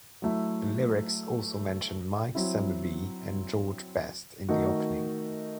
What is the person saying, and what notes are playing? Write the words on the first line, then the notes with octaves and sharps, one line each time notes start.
The lyrics also mention Mike Summerbee and George Best in the opening.
F#3 A3 E4
F#3 C4 E4
D#3 A3 D#4 F#4